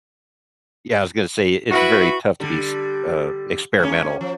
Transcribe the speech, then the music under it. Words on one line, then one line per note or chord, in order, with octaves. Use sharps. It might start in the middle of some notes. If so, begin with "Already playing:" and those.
yeah, I was gonna say it's very tough to be s uh, experimental.
E4 F#4 B4
D3 G3
G#3 A#3 C#4
F3